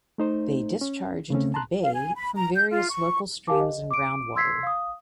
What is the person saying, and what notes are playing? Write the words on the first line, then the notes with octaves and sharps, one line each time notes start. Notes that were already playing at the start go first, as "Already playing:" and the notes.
They discharge into the bay from various local streams and groundwater.
A3 D#4 C5
C#4
C#3 A3 C4 C#4
A5 A#5 C6 F#6
F5
G#5
B5
A#5
G6
F4
C#6
G4 A#4 F5 G#5 A5 D6
D#5
D6 D7
C6 E6 G#6 B6 C7
F5 D#6